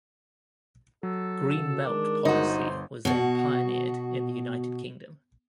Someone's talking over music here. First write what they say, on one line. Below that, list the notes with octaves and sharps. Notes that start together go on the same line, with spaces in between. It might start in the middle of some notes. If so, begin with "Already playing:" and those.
Green belt policy was then pioneered in the United Kingdom.
F#3 A4
C#3 F#4 E7
D#3 G#3 D4 A#4
G1 D#4 F#4 C5
B2 F#4